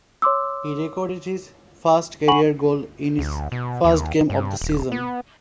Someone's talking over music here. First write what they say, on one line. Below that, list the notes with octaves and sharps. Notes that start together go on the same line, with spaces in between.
He recorded his first career goal in his first game of the season.
C#5 C6 D6 E6
F#5 G#5 B5 C#6 F#7
D2
B2
D#2
G2
D#1
B3